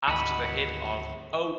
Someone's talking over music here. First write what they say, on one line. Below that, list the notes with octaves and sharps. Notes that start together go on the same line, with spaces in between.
After the hit of Oh!
D2 G#2 D#3 F#4 D#5 B5